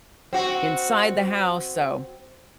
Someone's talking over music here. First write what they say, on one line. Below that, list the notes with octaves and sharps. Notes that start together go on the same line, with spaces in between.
inside the house, so,
C4 F#4